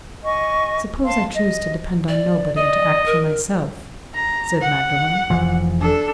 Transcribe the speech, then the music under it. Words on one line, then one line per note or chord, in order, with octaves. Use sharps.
"Suppose I choose to depend on nobody, and to act for myself?" said Magdalen.
D#5 G#5 C#6
F5 A5 C6
D#5
D5
D5 D#5
A#4
A#5
F#5
F1 E3 F3
D4 A4